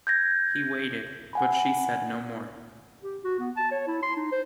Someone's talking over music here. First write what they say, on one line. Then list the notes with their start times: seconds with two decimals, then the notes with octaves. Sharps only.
He waited, but she said no more.
0.07 G6 G#6 A#6
1.33 F#5 G#5 B5
3.03 G4
3.24 F#4
3.40 B3
3.57 A5
3.72 C#5
3.87 E4
4.03 C6
4.16 D#4
4.32 C5